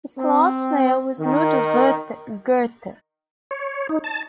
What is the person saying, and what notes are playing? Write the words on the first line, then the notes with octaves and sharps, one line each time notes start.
Its last mayor was Knud Gerther.
C4
D#3
C#5
D#4
A5